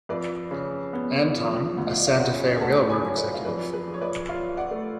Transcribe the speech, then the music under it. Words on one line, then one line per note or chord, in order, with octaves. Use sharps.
Anton, a Santa Fe railroad executive.
F2 B4 D5
C#3
B3
F3
D2 F#5
F5
D5
C#5 F5
C#3 D5 F#5
G#5
A3 F#5 A5
G#5 B5
F#3
C#5
B4 D5
F5
F2 B4 D5
G#4 B4
F3
C#5
B4 D5
F4 C#5 F5
D5 F#5
A3